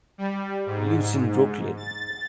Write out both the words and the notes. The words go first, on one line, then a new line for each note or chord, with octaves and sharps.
Lives in Brooklyn.
G3
G#2
A6